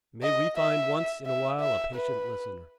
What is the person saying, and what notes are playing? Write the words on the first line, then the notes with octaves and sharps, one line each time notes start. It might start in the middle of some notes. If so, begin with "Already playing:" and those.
May we find once in a while a patient listener.
D#5
E5
E5
E5
B4